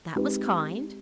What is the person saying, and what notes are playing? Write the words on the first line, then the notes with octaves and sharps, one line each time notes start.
"That was kind."
G#3 C4 D#4 G4 B4